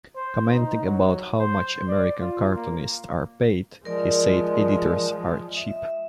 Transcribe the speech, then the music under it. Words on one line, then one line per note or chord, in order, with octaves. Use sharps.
Commenting about how much American cartoonists are paid, he said Editors are cheap.
C5
D#4
F#3
C5
D5
F4
A#3
F3 G#3 A#4 D5
E5